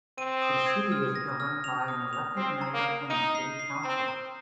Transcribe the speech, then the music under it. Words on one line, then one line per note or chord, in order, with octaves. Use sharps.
The city is governed by an elected mayor and city council.
C4 D#7
D#6
G#6
F6
A#6
F6
F7
D#6
F7
C4 C7
A#5
A#3
A#5
D#4 D#7
C7
C7
C4 A#5
A#5